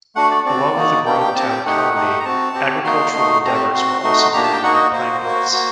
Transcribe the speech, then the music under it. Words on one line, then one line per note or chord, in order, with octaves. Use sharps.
Along with a growing town economy, agricultural endeavors were also booming around Pine Bluffs.
A3 D4 F#4 F#5
D5
C4 F#4 D5
A#3 D#4 F#4
A#3 D4 G4 G5
G5
C4 G4 A5
G5
A3 D#4 G4 F#5
A3 D#4 G4
A#5
C4 F#4 A5
C4 G4
A#3 D#4 F#4 C6
A3 D#4 F#4
A3 C4 G4 A#5
A5
C4 F#4 C6
A3 D#4 F#4
A#3 D4 G4 A#5
A5
G5
A#3 D#4 F#4 F#5
D#5
A#3 F#4 C5
A#3 F#4
A#3 F#4